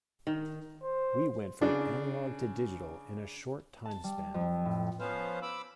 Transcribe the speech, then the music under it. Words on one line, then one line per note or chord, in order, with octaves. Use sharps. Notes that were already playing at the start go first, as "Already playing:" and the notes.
We went from analogue to digital in a short timespan.
D#3
C5
C#3 D4
A5
G3
F2
A2
F3 B3 C#4 B4 C5 F5
B5 D6 E6